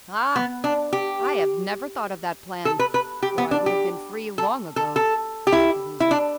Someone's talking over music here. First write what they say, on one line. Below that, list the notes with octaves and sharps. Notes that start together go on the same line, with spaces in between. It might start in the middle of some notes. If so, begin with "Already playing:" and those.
"Ah, I have never thought of that plan, or I would have been free long ago," said the Woozy.
B3
D4
G4
A4
B4
B4
G4
B3
D4
G4
A4
A4
A4
G4
E4
E4
D4